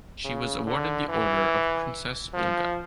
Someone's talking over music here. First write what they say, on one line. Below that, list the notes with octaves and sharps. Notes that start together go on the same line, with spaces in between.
She was awarded the Order of Princess Olga.
C#3
D3
E3
F3